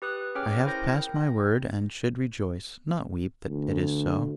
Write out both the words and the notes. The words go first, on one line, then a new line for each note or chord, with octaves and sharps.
I have passed my word, and should rejoice, not weep, that it is so.
G4 B4 D#6 F#6
C#4 G#4 C#5 G5 D6 F6
E4 A#4 C5 G5 G6 A#6
D2